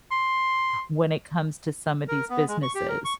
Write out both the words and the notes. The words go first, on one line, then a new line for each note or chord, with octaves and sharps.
when it comes to some of these businesses.
C6
A#4
B3
G#3
C#6
G4
A#4
C#6